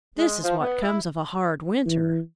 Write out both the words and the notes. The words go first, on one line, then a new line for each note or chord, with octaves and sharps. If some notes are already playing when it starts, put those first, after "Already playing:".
"This is what comes of a hard winter."
G#3
F3
B3
E4
E3